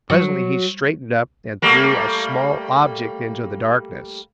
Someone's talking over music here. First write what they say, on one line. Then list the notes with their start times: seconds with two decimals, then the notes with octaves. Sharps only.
Presently he straightened up and threw a small object into the darkness.
0.10 F#3
1.62 G3 A3 A#3